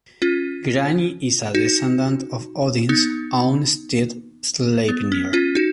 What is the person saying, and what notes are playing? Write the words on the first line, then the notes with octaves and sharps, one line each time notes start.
Grani is a descendant of Odin's own steed, Sleipnir.
C#4 F4
D#4 F#4
B3 D#4
B3
C#4
C#4 F4
D#4 F#4